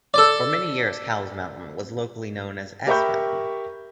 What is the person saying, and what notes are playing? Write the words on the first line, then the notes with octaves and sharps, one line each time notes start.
For many years Cowles Mountain was locally known as "S" Mountain.
A4 D5
G4 A#4 E5 B5 C#6 G6